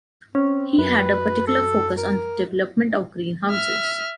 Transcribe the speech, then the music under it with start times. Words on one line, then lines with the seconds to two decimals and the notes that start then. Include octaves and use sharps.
He had a particular focus on the development of greenhouses.
0.35 C4 C#4
0.78 F#2 B4
1.47 A4
1.98 A#4
3.50 E5 F6